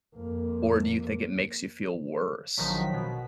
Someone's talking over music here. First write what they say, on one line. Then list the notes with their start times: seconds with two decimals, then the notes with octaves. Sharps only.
or do you think it makes you feel worse?
0.16 F2 A#3
2.57 A#1 D#3 F3 F#3 B6
2.93 B2